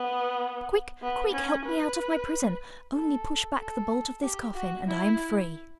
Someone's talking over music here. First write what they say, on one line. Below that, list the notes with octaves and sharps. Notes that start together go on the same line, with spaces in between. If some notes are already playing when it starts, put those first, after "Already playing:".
Quick, quick, help me out of my prison; only push back the bolt of this coffin and I am free.'
Already playing: B3
B3
C#4
B4
A4
A4
G4
F#4
E4